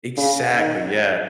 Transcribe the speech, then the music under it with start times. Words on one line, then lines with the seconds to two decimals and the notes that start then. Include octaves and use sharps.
Exactly, yeah.
0.17 C#3
0.58 D#3